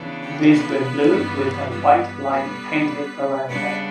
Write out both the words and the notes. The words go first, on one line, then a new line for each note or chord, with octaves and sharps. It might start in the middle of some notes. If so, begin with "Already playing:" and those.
These were blue with a white line painted around them.
Already playing: C#3 E3 B3 D4
G4
B3 B4
G2 E3 G3
B3 B4
D3 G3 B3
C#3 G3 B3 D4 B4